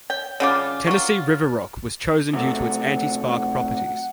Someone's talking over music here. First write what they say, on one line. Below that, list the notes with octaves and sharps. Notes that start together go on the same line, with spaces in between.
Tennessee river rock was chosen due to its anti spark properties.
C#5 G5
C#3 G3 F4 C#5 F#5 D6
F#3 F4 C#6
C3 F#3 A3 F#5